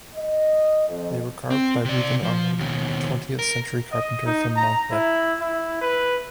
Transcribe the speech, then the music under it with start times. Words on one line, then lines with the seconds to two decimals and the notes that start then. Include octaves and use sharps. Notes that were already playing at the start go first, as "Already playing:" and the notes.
They were carved by Reuben Arnold, a twentieth century carpenter from Monkleigh.
0.15 D#5
0.89 F2
1.50 C4
1.85 C3 D5
2.23 F3
2.59 D#2 B2
3.39 A#4
3.92 D#5
4.26 D#4
4.56 A#5
4.91 E4
5.40 E4
5.81 B4